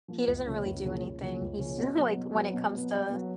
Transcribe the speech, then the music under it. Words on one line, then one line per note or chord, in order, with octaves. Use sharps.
he doesn't really do anything, he's just like when it comes to sh
F3 A#3
C#2
C#3 F3 A#3 C#4
C#2
C#3 F3 A#3 C#4
C#2
C#3 F3 A#3 C#4
C#2
C#3 F3 A#3 C#4
B2
F#3 B3
B2
F#3 B3
B2
F#3 B3
B2
F#3 B3